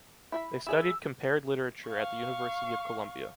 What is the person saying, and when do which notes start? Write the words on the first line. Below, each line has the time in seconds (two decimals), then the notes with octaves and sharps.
They studied Compared Literature at the University of Columbia.
0.32 E4 E5 B5
0.67 E4 G#4 E5 E6
1.88 F5 C#6